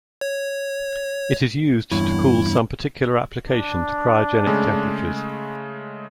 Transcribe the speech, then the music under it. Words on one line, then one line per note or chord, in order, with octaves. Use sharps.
It is used to cool some particular application to cryogenic temperatures.
C#5
E2 G2 E4 C#5
D4
C#3 G#3 A3